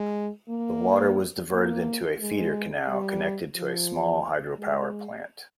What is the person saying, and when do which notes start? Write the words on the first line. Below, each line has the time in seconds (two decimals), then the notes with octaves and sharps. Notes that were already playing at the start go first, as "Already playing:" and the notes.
The water was diverted into a feeder canal connected to a small hydropower plant.
Already playing: G#3
0.49 A#3
1.52 A#3
2.20 G#3
2.88 G3
3.57 F3
4.59 G#3